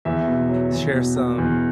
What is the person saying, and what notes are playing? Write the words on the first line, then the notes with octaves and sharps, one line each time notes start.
share some
E2 E5
B2
F#3
E2
B2
B2
E2